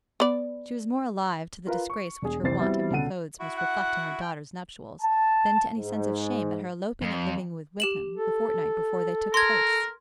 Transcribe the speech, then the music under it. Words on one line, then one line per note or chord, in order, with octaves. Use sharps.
She was more alive to the disgrace which her want of new clothes must reflect on her daughter's nuptials, than to any sense of shame at her eloping and living with Wickham a fortnight before they took place.
B3 D5
F4 A#4 B4 F5
C#6
E1 G#4
F1 C2 E3 C5 A6 C7
G3 B3 C4 E4 F#4
C#2 B2 D3 A4 F#5 D#7
E4 F#4
F#5
G5
A5
G#2
F2
G4 E7 F#7
A4
A#4 C6 G#6